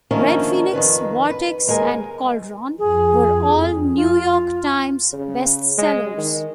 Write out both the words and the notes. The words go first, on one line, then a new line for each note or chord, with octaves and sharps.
"Red Phoenix", "Vortex", and "Cauldron" were all New York Times bestsellers.
D#3 F3 A#3 C#4 D4 E4
F2 G#2 D#3 B4
B4
D#2 G#3 A#4 G#5
F2 G#4
F4
C#3
G#3
D#3